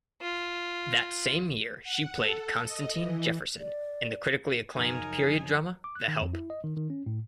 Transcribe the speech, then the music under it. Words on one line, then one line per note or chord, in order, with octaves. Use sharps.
That same year she played Constantine Jefferson in the critically-acclaimed period drama "The Help".
F4
F#5
A4
D#5
E3
D5
F#2 C#3 F3 D#4 A#4 G#5
D6
F#6
D#3
F2
E4
D#5
D#3
D#3
C#4
A2